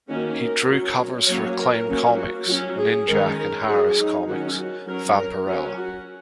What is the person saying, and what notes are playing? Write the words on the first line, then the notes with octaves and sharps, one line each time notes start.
He drew covers for Acclaim Comics' "Ninjak" and Harris Comics' "Vampirella".
D#3 A#3 C#4 F#4
A#4
F#3 C#4
F#3 A#3 C#4 C#5
A#4
F#3 A#3 C#4
F#4
F#3 C#4 F#4
G#4
D#3 G#3 C#4 A#4
A#4
F#3 C#4 G#4
D#4
D#3 F#3 C#4 F#4
F#4
F#3 C#4 A#4
A#4
F#3 C#4 A#4
F#4